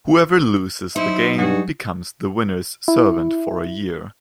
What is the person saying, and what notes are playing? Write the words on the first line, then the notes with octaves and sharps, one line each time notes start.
Whoever loses the game becomes the winner's servant for a year.
F#3 D#4 E4 C5 E5
G2 F#4 G#4
E4